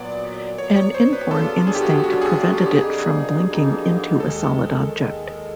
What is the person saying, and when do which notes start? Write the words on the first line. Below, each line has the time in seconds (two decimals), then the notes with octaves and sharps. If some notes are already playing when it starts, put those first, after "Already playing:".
An inborn instinct prevented it from blinking into a solid object.
Already playing: A#2 F#3 B3 D5
0.58 A#2 F#3 B3 C#5
0.76 C#5
0.94 C5
1.13 B4
1.30 C#3 F#3 B3 D4 F4 A4
1.67 G#4
1.75 G4
1.82 F#4
1.90 G4
2.03 C#3 F#3 B3 D4 F4 F#4
2.21 G#4
2.39 G#4
2.57 G4
2.75 F2 D3 G3 A#3 D#4 G#4
3.47 F2 D3 G3 A#3 D#4
4.20 D#2 D#3 G#3 A4
4.93 D#2 D#3 G#3